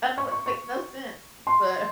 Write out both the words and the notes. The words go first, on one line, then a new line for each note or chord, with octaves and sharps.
I know it makes no sense, but
C#6
C#6
C#6
C6